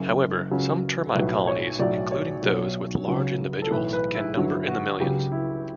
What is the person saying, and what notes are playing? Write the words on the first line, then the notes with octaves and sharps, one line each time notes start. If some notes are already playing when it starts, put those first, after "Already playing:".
However, some termite colonies, including those with large individuals, can number in the millions.
Already playing: F#1 F#2 C#3
C#2 C#3 F#3
B1 A2 F#3 B4
C#5
B1 A2 F#3 D5
C#5
B1 B2 F#3
C#2 C#3 F#3
A4
B1 A2 E3 B4
B4
E4
G1 G2 F#3 E4
F#4
C#2 C#3 F#3 G4
E4